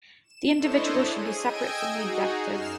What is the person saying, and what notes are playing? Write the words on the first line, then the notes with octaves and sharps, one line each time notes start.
The individual should be separate from the objective.
E7
D4 E4 A4 C5 C#5 D#5
G#4 D#7
D#5 G5 G#5 E6 G#6 D7
D#4 F#4 G#4
F#2 F6 C7 E7